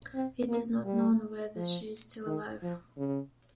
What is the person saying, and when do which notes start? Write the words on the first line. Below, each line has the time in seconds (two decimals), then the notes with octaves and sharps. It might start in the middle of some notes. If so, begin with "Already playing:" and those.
It is not known whether she is still alive.
0.14 C4
0.50 A#3
0.85 G3
1.56 F3
2.26 D#3
2.63 F3
2.98 C#3